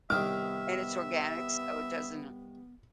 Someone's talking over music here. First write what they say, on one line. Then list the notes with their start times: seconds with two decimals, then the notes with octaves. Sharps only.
and it's organic so it doesn't, uh
0.10 C2 D#3 B3 E5 D6 F6